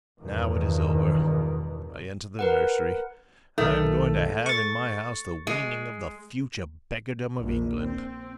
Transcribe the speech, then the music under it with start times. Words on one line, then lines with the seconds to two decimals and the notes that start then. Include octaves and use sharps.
Now it is over; I enter the nursery; I am going to have in my house the weaning of the future beggardom of England.
0.21 E2 G2 B2 D#3
2.39 A#4 B4 F#5
3.58 B1 D#3 A3
4.46 C#6 A6
5.47 G#3
7.37 A#1
7.81 C4